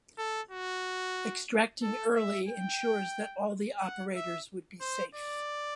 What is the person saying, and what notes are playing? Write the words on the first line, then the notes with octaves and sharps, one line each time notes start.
Extracting early ensures that all the operators would be safe.
A4
F#4
A4
E5
G5
F#5
E5
C5
D5